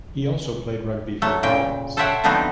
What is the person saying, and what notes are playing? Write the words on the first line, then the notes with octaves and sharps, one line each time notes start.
He also played rugby for Wales.
F#3 A3 A4
A#2 C#3 G5
A4 C5 C#5 E5 F#5 G5
D3 F3 A3 B3 C4 D#4